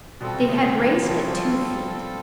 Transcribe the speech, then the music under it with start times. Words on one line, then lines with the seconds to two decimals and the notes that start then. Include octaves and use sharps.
They had raised it two feet.
0.20 B2 G3 C4 F4 A4
0.34 C3
0.49 C#3
0.62 C#3
0.76 E3
0.90 F#3
1.04 F3
1.18 F#3
1.28 F3
1.37 F#3